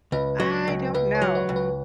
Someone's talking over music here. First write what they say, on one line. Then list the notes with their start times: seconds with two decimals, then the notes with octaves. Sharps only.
I don't know.
0.12 C#2 B4
0.40 F#3
0.68 C#2
0.94 C#2 B4
1.15 C#5
1.22 F#3
1.35 B4
1.49 C#2
1.56 B4